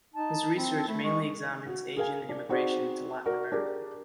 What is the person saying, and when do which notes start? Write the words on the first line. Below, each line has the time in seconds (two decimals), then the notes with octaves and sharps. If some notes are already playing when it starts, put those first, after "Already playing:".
His research mainly examines Asian immigration to Latin America.
0.14 D#4 A5
0.57 C4 B5
0.75 A4
0.88 A3 B5
1.03 G#3 C#6
1.67 F#4
1.97 G#4 A#4 F5 G#5
2.29 D4
2.49 C4 D#4 F#4 G#4 C5 D5
3.26 F#4 A#4 D5
3.52 D4 G4 G#4 A#4